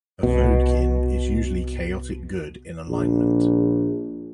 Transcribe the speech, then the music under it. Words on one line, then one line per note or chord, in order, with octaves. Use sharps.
A voadkyn is usually chaotic good in alignment.
C2 B2
A#1